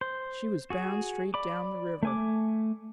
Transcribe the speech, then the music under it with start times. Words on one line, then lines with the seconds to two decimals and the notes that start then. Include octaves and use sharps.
"She was bound straight down the river."
0.01 C5
0.70 F#4 G#4
1.34 D5 B5 D6
2.03 A3 G#5 D6